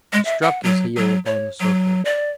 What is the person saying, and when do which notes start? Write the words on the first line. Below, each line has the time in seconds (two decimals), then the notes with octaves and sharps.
He struck his heel upon the circle.
0.13 G#3
0.25 E5
0.42 F#5
0.63 F#3
0.97 F#3
1.26 C#5
1.60 F#3
2.05 D5